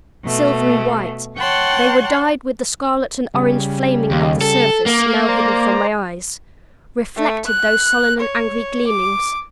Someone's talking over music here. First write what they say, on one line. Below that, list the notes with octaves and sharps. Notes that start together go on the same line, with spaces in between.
Silvery white, they were dyed with the scarlet and orange flaming of the surface now hidden from my eyes; reflected those sullen and angry gleamings.
B2 A3
C#5 F#5 G5 A5 C6 F#6
C#3 G3
D#2
A4
A#3
C5 D5 A#5
A3
F#6
C#5
D6